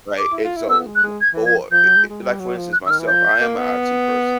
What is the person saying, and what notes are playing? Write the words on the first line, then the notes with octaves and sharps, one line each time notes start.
right, and so, w or i i like, for instance, myself, I am an IT person.
D6
E4
F4
E4
B3 E6
G#3
F#6
G#3
G#6
E3
F3 G#6
F3 G6
F#3
G#3
G#3
G3
F#3
F3
F#6
D#3 E6 F6
E3
F3 G6
A#3
B3